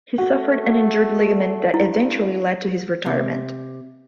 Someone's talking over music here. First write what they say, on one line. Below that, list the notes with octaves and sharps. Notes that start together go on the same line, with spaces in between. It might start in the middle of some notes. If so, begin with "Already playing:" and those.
He suffered an injured ligament that eventually led to his retirement.
A3 F#4
G2 E4
C3